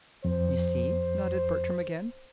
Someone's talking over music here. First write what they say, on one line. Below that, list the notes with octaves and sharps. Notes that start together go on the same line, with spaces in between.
"You see," nodded Bertram again.
F2 C5